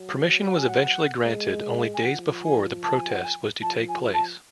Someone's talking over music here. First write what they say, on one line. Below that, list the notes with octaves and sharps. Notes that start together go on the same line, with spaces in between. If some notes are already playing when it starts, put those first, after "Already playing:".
Permission was eventually granted only days before the protest was to take place.
Already playing: F#3
F#5
G#5
F#5
G#3
G#5
F3 F#5
G#5
A5
G#5
F#5
G#5
F3 A5
G#5
A5